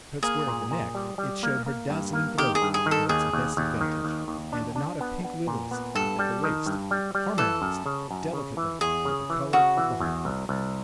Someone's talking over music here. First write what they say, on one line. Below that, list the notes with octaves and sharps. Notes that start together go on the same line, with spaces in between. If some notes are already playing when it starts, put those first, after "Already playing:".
Cut square at the neck, it showed her dazzling throat at its best advantage, and a knot of pink lilies at the waist harmonized delicately with the color of the whole.
A#3 G#4
A#2
A#2
G3
G3
A#3
A#3
G2
A#3
D#3 G4
G#4
G2
G#4
D#3
A4
D#2 G#4
D#2
D#2
D#3
D#2
D#2
D4
D4
B3
B3
A#2
B3
G2 A4
G3
D#3
G2
G3
G3
E3 A4
F#2
C#3
F#2
C#3
E3
E2 G#4
C#3
E3
C#3 F#4
E3
E2
C2
C2